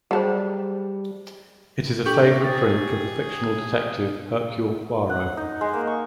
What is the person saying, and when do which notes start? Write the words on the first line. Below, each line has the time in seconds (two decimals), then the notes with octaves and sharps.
It is a favourite drink of the fictional detective Hercule Poirot.
0.11 F#3 G3 G#4 C5 A5
2.06 D4 G4 A4 C#6 G6 F#7
2.44 G#4 A6
5.09 F#5
5.37 D#4
5.61 G#3
5.73 A#3
5.87 C#6